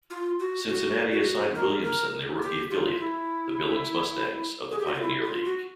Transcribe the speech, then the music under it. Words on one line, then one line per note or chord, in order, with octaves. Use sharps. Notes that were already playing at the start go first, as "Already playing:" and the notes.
Cincinnati assigned Williamson their rookie affiliate, the Billings Mustangs of the Pioneer League.
F4
F#4
F#4
F#4
A#4
A#4
G4
F4
E4
G#4
G4
F#4
F4
E4
F4
F#4